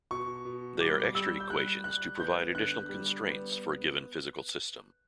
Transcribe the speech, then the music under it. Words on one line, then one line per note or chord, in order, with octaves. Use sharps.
They are extra equations to provide additional constraints for a given physical system.
B2 C#6
B2
G3 D6
D6
G3 E6
G6
G3 F#6
G3 F#6
B3 G6
D3 F#6
G3
B3